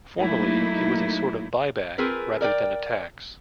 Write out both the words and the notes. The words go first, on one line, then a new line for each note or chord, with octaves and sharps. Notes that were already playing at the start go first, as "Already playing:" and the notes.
Formally it was a sort of buy-back rather than a tax.
F#3 A3 A#3 D#4 E4
C4 F4 G#4 A#4 B4
A#4 D5 D#5 G5